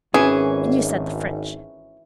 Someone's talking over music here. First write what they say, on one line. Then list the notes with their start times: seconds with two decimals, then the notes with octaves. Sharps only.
And you said the French...
0.14 G#1 E3 C#4 G#4